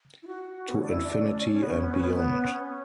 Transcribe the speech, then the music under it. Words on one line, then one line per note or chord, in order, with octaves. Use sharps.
To infinity and beyond!
E4
F#4
B3
C#4
D4
E4
D4
C#4
D4
C#4
C#4
B3
C#4
B3
C#4
B3
B3
C#4